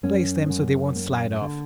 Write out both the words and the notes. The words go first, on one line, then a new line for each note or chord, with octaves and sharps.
Place them so they won't slide off.
F#2 C#4
F#2
A#3
D3